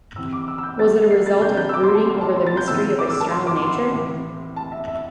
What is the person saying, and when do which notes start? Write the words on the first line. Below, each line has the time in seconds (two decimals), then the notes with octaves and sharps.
Was it a result of brooding over the mystery of external nature?
0.16 C3 E3 C4 E6
0.33 D6
0.48 E6
0.58 E6
0.63 G6
0.79 A6
1.11 C7
1.26 A6
1.42 C3 A3 D4 G6
1.57 G6
1.69 E6
1.74 D6
1.83 C6
1.95 A5
2.06 C6
2.21 A5
2.36 C6
2.47 A6
2.57 G6
2.68 A2 E3 A3 C4 E6
2.99 D6
3.10 E6
3.20 A5
3.31 C6
3.47 D6
3.62 C6
3.93 A2 E3 C4
4.56 A5
4.72 E5
4.88 E5